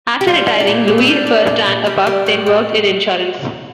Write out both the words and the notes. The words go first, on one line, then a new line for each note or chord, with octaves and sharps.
After retiring, Lewis first ran a pub, then worked in insurance.
G4
G3 F4
G3
D4
A#2 E4
A#2
C4
G3 D4
G3
A#2
A#2
G3
G3
A2
A2